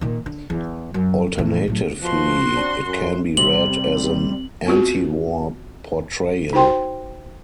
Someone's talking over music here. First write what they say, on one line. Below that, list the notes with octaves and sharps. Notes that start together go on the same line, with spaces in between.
Alternatively, it can be read as an antiwar portrayal.
A#2 D#3
D3
E2
F#2
A2 E3
A2 F#3
B2 F3 F#4 C6
C4 D4
F#2
C3 G3 F#7
B3 C4 F4 F#4
D#4 F#4 C5 G5 C6